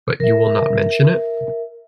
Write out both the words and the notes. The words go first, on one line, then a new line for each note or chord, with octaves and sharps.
But you will not mention it?
A#4 E5